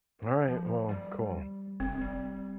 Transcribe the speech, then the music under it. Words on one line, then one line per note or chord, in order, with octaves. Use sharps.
All right, well, cool.
F3
G3
F1 C4
G3